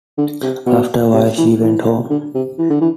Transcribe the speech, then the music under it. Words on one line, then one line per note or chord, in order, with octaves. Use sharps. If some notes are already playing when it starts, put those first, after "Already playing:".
After a while she went home.
D3
C3
B2
C3
E3
E3
D3
C3
E3
D3
E3